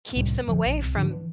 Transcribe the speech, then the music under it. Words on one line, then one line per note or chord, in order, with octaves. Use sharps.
keeps them away from
C2 A2 C3 G3
F1 F2 D3 F3
A#1
C2
G#2 D3 F3 D4
E3